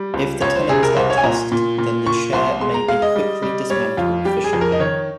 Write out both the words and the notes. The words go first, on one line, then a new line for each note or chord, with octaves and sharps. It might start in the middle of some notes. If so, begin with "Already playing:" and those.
If the tenons are tusked then the chair may be quickly "dismantled" for shipping.
Already playing: G3
C#2
C#2 C#5
C5
C3 G#4
A#4
C2 C5
C#5
G#5
A#2 A#5
A#2
A#2
A#2 C#6
C2 C6
G#3 C6
A#5
G#3 F5
D#5
G3
G3
G3 C#5
F2 F4
G3 G4
G#4
F2
A#4
D#5
D#3 C#5